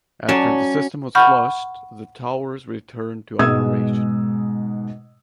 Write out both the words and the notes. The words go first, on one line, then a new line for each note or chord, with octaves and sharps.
After the system was flushed the towers returned to operation.
F#3 C#4 D5 A5
F#5 B5 C#6 F6 G6
G#2 B2 G#3 D#6 E6 G#6